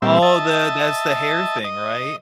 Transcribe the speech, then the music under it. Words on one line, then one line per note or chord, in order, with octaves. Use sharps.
Oh, the that's the hair thing, right?
A#2 G3 C4 E5
D#5 E5 A5
D#5